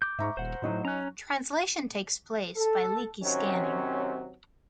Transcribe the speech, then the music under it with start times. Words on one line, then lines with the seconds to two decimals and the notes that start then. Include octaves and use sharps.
Translation takes place by leaky scanning.
0.02 D6 G6
0.19 G#2 E5 A#5 C#6
0.37 D#1 C5 F#5
0.62 A2 F#3 D#4 F#4
0.85 C#4 A#5 F#6
2.56 A4
3.22 C3 D#3 F#3 C4 C#4